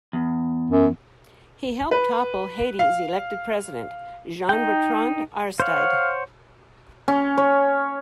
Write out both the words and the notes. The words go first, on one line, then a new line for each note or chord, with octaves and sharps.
He helped topple Haiti's elected president, Jean-Bertrand Aristide.
E2
F#2
B4
F5
D#4 G5
C5 C#5 F5 F#5
C#4
C#5